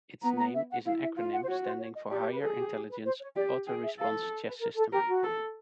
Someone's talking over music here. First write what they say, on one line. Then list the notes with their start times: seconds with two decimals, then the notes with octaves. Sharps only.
Its name is an acronym standing for "higher intelligence auto-response chess system".
0.23 B3 A#5
0.39 A#5
0.55 E5
0.70 F#5
0.86 E4 F5
1.01 E5
1.17 F4 F5
1.32 F#5
1.42 C5
1.48 F#4 C#5
1.64 C5
1.79 C#5
1.95 D#5
2.11 G4 D5
2.21 C#5
2.32 B4
2.42 G#4 A4
2.57 G4
2.73 G4
2.89 B4
3.05 C5
3.20 C#5
3.36 G4 D5
3.67 G#4 G5
3.83 E5
3.99 A4 F5
4.45 B4
4.61 A#4
4.77 A4
4.92 G4 A#4
5.08 F#4
5.24 A4